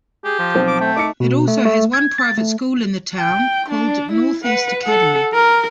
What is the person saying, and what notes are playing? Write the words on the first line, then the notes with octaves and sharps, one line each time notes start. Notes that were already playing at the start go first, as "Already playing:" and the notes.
It also has one private school in the town, called Northeast Academy.
G4 G#4
F3
B1 C4
D6
A3 G5
D#4 E5 D6 C#7
B2
A3
A3
G#6
A6
A3
G5
D4
E4
B4 F#5
A4 F#5
A#4